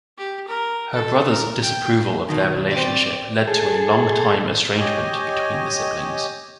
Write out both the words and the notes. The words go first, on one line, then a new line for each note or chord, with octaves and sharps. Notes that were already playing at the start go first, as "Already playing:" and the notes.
Her brother's disapproval of their relationship led to a longtime estrangement between the siblings.
G4
A#4
A4
A#4
G5
B2 D#3
C4 D5
G#4 A4
G4 C#5 D#5 G#5